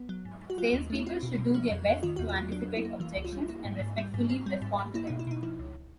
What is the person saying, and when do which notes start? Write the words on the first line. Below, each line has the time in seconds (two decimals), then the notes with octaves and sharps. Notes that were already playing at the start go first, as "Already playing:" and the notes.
Salespeople should do their best to anticipate objections and respectfully respond to them.
Already playing: B3
0.09 F#3
0.25 G#2
0.41 G#2
0.50 F#4
0.58 F#3 F4
0.73 D#2
0.90 A3
0.95 E4
1.06 C4 F4
1.23 B2
1.38 B2
1.54 F3
1.71 F2
1.87 F2
2.03 D#3 F4
2.16 E2 F#4
2.29 F4
2.36 F#3
2.52 F#3 D4
2.68 F2
2.77 E4
2.85 A#3
3.00 E3 F4
3.17 C#2
3.25 F4
3.33 G3
3.48 A#3 E4
3.65 G#2
3.81 G#2
3.98 G3
4.14 G#2
4.29 C4
4.46 G3
4.62 G#2
4.79 G#2
4.94 A#3 E4
5.07 D#4
5.10 B2
5.19 E4
5.27 B2 D#4
5.43 F3 E4
5.59 C#2